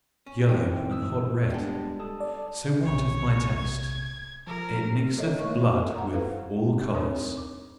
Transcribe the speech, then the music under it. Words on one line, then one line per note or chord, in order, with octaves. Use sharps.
Deep yellow and hot red--so wanteth MY taste--it mixeth blood with all colours.
C#4
E3 C4 D#4 G5
D#6 E6
G3 G#3 B3 D4
A4 A5 D#6
D5
B1 C3 C#5
G#6
F3 A#4
A4 A#4 C#5 D#5 E5
A3 A#3 E4 A#4 C#5 C#6
F#5 A#5
E4 A4 B4 C5 F5
C4 D4 D#4 G#4 A#4 C#5
D6